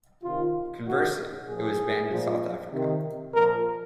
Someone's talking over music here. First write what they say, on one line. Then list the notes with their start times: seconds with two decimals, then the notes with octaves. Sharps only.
Conversely, it was banned in South Africa.
0.23 C3 D#3 F4
0.86 C3 D#3 F#4
1.47 A#2 F3 G#4
2.10 A#2 F3
2.72 C3 D#3
3.34 A#2 F3 A#4